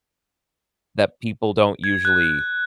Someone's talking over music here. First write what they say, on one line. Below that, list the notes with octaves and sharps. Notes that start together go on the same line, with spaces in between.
that people don't usually
G#6
F#6